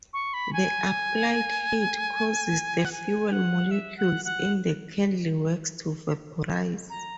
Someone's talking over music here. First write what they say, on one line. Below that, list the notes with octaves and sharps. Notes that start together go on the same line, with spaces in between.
The applied heat causes the fuel molecules in the candle wax to vaporize.
C#6
B5
G#5
F#5
G#5
F#5
E5
F#5
F#5
A#5